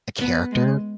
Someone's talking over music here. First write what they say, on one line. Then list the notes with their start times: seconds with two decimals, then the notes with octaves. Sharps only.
the character
0.21 B3
0.51 G#3